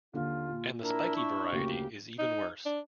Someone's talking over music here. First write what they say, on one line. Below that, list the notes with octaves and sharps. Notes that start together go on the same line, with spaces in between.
And the spiky variety is even worse.
D#2 D3 F4
A#2
D4 E4 A#4
C#6
D2 C#3 A#3 G4
D#4
D4